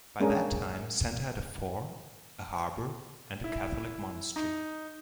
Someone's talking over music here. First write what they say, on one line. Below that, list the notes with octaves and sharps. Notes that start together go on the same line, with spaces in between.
By that time Senta had a fort, a harbour and a catholic monastery.
G#3 A#3 C#4 D4 G#4 A#4
E4
D#4